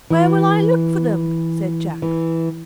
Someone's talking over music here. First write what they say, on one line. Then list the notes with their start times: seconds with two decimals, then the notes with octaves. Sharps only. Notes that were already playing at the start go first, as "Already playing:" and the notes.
"Where will I look for them?" said Jack.
0.10 E3
2.02 E3